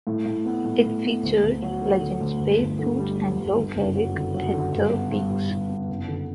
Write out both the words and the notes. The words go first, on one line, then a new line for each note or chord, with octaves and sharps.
It featured legends Babe Ruth and Lou Gehrig at their peaks.
A2
A2
B3
A2
A2
B3
D2
D2
F#3
D3
D3
D2
G1
G1
D3
G3
G3
G1
D3
F#1
F#3
D3
F#3
D3
G2
B3
G2
G2
G2
B3
F#1
D3